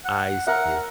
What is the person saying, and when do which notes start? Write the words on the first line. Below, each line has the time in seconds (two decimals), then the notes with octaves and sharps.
I see.
0.05 F#5
0.47 A#4 E5 F#5